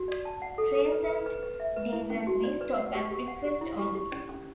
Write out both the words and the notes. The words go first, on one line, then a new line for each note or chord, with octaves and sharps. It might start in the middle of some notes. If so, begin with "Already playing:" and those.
Trains at Deganwy stop at request only.
Already playing: F#4
D5
A5
F#5
A4
A4
B4
B4
B4
B4
E5
B4
E4
C#4
F#4
D5
B4
F#5
G4
G4
F#5
G4
E4
G4
G4
C#4
C#4